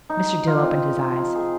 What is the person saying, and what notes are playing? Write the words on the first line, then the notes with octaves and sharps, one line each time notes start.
Mr. Dill opened his eyes.
D#4
F4
C4
F3
G#4